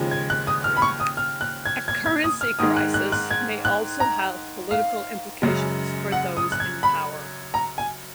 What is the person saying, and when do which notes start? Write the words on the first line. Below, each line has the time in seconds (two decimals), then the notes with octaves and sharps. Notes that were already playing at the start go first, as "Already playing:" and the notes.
A currency crisis may also have political implications for those in power.
Already playing: D#2 C#3 F3 G#3
0.11 G#6
0.30 F#6
0.47 D#6
0.64 F6
0.77 B5
0.82 C#6
1.00 D#6
1.17 F6
1.41 F#6
1.66 G#6
1.88 G#6
2.06 G#6
2.24 D#6
2.41 F6
2.59 G#2 D#3 G#3 D#6
2.76 F#6
2.94 F#6
3.12 F#6
3.31 G#6
3.65 F#6
4.00 A#5
4.71 F5
5.42 F#2 C#3 G#3
6.12 F#5
6.37 D#6
6.52 F#6
6.60 G#6
6.83 B5
7.54 A#5
7.78 G#5